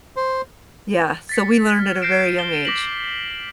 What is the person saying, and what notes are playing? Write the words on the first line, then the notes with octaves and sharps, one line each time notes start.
Yeah. So we learned at a very young age.
C5
A6 B6 C#7
F6
G6 A#6 C7 D7 E7
G7
D6 A#6 B6 E7 F#7